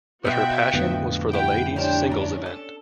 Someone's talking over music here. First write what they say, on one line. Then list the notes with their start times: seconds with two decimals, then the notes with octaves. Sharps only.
But her passion was for the ladies singles event.
0.25 B2 D#4 F4 F#4 E5 G5
0.74 F2 A2 D3 B3
1.33 E4 G4 F#5 G5
1.76 C#4 D4 G4 A#4 C5 D5
2.11 A#5
2.46 A4